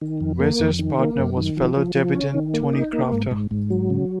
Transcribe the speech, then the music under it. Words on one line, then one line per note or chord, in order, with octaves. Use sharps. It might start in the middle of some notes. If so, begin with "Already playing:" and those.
Weser's partner was fellow debutant Tony Crafter.
D#3
F2
A#3
F2
D#3
A#3
F#2
D#3
F3
F3
F3
C#4
D#3
A#3
D#4
A#3
G#2
G#2
G#2
F#3
C#3